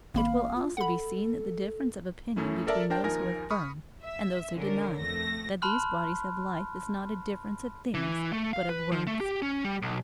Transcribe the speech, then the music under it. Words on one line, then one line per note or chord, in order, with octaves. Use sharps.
It will also be seen that the difference of opinion between those who affirm, and those who deny, that these bodies have life, is not a difference of things but of words.
G#1 A#3 F5 B5
F4
A4 F#5 B5
F#2 A3 C#4 E4
A4 A#4 D5 E5 A5
D4 A#4 C5 G5 A5
D#2 F3 D#4 A#4 G#5 A#6
B5 C#6 D#6 F6
E5
D3 C#4 A#4
F2 A3 A#6
A5 B5 C6 F6 F#6
E3
A3
F5
B4
F3
A3
G4
C#4
G3
B1